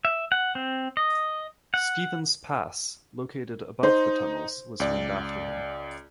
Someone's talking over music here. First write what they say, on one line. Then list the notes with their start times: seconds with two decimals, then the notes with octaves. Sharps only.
Stevens Pass, located above the tunnels, was named after him.
0.05 E5
0.32 F#5
0.55 C4
0.97 D#5
1.74 F#5
3.83 D#4 C5
4.80 C#2 D5